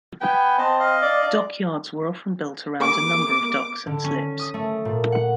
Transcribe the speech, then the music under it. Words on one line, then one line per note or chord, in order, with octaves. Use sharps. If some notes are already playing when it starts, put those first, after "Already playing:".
Dockyards were often built around a number of docks and slips.
B3 B4 G5 G#5
C4 D#5 A5
D#5 F5
D5
D5
D6
D3
C#4
D#6
A3
A#2
F#5